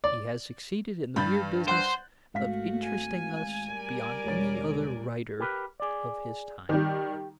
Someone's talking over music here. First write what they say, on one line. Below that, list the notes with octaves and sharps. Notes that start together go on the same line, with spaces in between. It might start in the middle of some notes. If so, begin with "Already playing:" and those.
He has succeeded in the mere business of interesting us beyond any other writer of his time.
D5
G2 B5 G6 A6
C5 F#5 C6 F#6
G#1 A3 F#4 F5 B6
G#5
G3 A#4 D5
E1 C#5 A6
G4 A#4 B4
G#4 D5
D#3 G3 G4